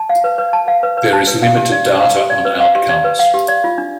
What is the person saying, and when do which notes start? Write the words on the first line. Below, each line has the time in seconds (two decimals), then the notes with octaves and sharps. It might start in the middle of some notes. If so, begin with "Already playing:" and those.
There is limited data on outcomes.
Already playing: A5
0.09 F5
0.24 B4
0.38 B4
0.53 A5
0.68 F5
0.83 B4
0.98 B4
1.13 A5
1.27 B4
1.42 F5
1.56 G4
1.72 D5
1.86 B4
2.00 F5
2.16 G4
2.30 D5
2.45 B4
2.60 F5
2.75 G4
2.89 D5
3.04 B4
3.19 F5
3.34 G4
3.48 D5
3.64 F4
3.78 D4